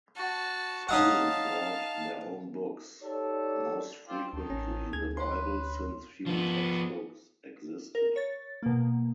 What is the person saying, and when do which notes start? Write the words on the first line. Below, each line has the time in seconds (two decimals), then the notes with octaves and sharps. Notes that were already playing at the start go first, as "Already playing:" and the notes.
Students brought their own books, most frequently the Bible, since few textbooks existed.
0.16 F#4 A5
0.89 C#4 D#4 F5 F#5 A5
3.03 D#4 G4 A4 C#5 D5
4.08 C4 F4 D5
4.33 D2 D#3 A4
4.50 A1 C#4
4.93 D2 G#4 G#6
5.17 B4 C#5 C6
6.26 F3 B3
7.95 A#4
8.16 C#5 A6
8.63 B2 A#3